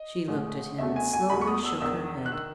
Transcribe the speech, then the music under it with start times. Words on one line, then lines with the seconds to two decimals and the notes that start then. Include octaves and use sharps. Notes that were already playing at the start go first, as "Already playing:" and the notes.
She looked at him, and slowly shook her head.
Already playing: D#5
0.28 A1 A2 G#3
0.78 E1 E2 B2 A3 E5
0.96 G#5
1.13 G#5
1.30 E1 E2 B2 A3 B5
1.41 C#6
1.47 D#6
1.65 E6
1.81 E1 E2 D#3 E6
2.26 F#6
2.32 D#3 E6